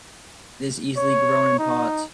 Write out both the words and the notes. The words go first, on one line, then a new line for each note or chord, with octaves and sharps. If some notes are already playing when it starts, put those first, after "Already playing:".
It is easily grown in pots.
C#5
D#4